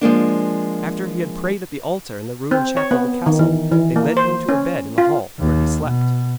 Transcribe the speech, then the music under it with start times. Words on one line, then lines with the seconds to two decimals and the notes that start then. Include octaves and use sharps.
After he had prayed at the altar in the ruined chapel of the castle, they led him to a bed in the hall, where he slept.
0.01 F3 G#3 A#3 D4
2.51 C4
2.77 C#5
2.91 B3
3.26 D#3
3.39 E3
3.72 E3
3.96 A#3
4.17 C5
4.49 C#4
4.98 F4
5.39 D#2
5.85 B2